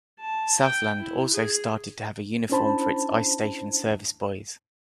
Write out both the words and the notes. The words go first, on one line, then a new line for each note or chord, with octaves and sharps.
Southland also started to have a uniform for its ice station service boys.
A5
G5
E4
G#4
C#4 D4 E4 C5 A5 B5